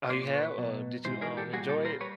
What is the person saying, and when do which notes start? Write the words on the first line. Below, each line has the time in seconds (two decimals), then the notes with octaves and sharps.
oh, you have? Uh, did you, um, enjoy it?
0.09 F#3 C5 D5
0.13 A#2
0.33 B4 C#5
0.58 B2 F#3
1.05 G#2 E3 C5
1.21 G#4 A#4
1.37 G4 A4
1.53 A#2 G3 F#4 G#4
1.68 G4 A4
1.85 A#4 C5
2.00 G3 B4 C#5